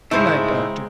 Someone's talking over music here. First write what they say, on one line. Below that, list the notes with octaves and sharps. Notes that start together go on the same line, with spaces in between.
Good night, doctor.
G#2 C#3 G#3 A3 C4 D#4 E4